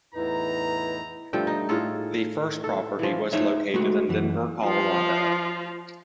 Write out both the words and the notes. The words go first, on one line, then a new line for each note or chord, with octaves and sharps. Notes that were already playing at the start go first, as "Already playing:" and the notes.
The first property was located in Denver, Colorado.
E2 A2 D#4 E4 B4 A#5
G2 F3 A3 G5
D#4
A2 F4 G#4 A4
A4
E3 F3
D#4 C5 C#5 E5
G#3 A3 F#4
F#2 E3
F3 F4